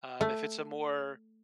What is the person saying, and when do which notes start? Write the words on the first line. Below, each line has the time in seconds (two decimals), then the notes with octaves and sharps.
um, if it's a more,
0.21 A3